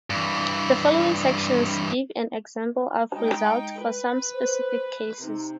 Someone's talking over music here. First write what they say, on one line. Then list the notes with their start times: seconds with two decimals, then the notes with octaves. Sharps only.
The following sections give an example of results for some specific cases.
0.10 G2 E3
3.15 G#3 D#4 G5
3.83 B4
4.34 C5
5.24 C3 D#4